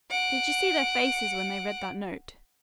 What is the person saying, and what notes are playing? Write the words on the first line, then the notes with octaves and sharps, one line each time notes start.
"Did you see their faces when they read that note?"
F#5 D7